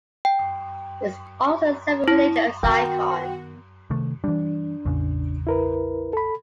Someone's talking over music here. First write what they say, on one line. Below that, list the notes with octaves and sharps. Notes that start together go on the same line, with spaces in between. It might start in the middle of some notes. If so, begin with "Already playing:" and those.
It is also a semi-religious icon.
G5
E4
D#3 B3 F#4 A#4 G5
C3 D#3 A3
E3 G3 D4
A1 E2 C#3
E4 A#4 B4
A4 B5